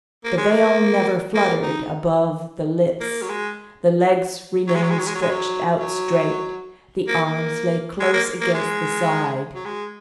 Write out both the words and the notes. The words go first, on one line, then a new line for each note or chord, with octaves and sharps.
The veil never fluttered above the lips, the legs remained stretched out straight, the arms lay close against the side.
A#3
G#3
A#3
A#3
D#4
A#3
F#3
G#3
F#3
G#3
F#3
G#3
F#3
G#3
F#3
G#3
F#3
F#3
A#3
A#3
G#3
A#3
A#3
G#3
F#3
G#3